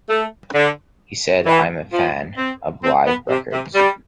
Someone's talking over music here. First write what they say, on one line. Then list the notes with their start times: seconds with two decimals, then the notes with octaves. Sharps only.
He said, I am a fan of live records.
0.10 A3
0.55 D3
1.46 E3
1.93 F3
2.38 C4
2.84 C4
3.07 B3
3.29 C3
3.52 C3
3.75 G3